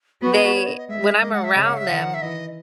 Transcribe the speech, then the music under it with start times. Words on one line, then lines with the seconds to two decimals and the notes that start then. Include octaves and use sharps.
they when I'm around them,
0.22 B3 F#4
0.33 G#4
0.44 F#4
0.55 C#5
0.66 D#5
0.77 D#5
0.89 G#3 E5
1.22 G#3 D#5
1.33 F#5
1.44 E5
1.55 C#3 D#5
1.66 F#5
1.77 E5
1.88 D#3 F#5
2.14 E5
2.22 E3 D#5